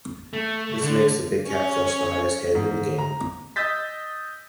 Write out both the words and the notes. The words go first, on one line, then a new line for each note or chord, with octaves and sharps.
This makes the big cat flush the highest hand in the game.
A3
D3
C#4 C#5
G#2
A#5
D#5 D#6 E6 G6 A6 B6